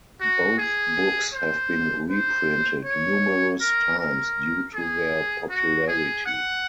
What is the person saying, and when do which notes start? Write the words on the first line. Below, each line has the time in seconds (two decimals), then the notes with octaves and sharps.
Both books have been reprinted numerous times due to their popularity.
0.21 F#4
0.58 G#4
1.33 C5
2.09 C5
2.85 C#5
3.60 A#4
3.99 A#4
4.74 G#4
5.50 F#4
5.88 G#4
6.25 F#5